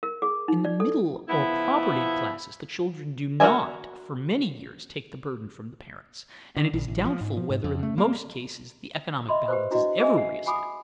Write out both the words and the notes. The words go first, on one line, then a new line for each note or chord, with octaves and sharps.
In the middle or propertied classes the children do not for many years take the burden from the parents, and it is doubtful whether in most cases the economic balance is ever reestablished.
A#4
G#4
D#4
D5
A4
F3 B3 E4
F#4 A#4 D#5 E5 G#5
D3
A#1
A1
F3
G#2
F3
G#2
F2
A3
A#3
D#5 E5 B5 C6
G4 B4 C5
D4 E4 F#4 D#5
G#4 D#5 E5 G#5
F#5
F#5 G#5 B5 D6 D#6